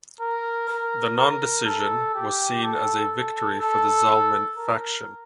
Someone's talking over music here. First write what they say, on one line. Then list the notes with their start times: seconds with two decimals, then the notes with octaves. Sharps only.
The non-decision was seen as a victory for the Zalmen faction.
0.20 A#4
0.69 A#4
1.17 A#4
1.65 A4
2.14 G4
2.63 A4
3.12 A4
3.60 A4
4.58 A#4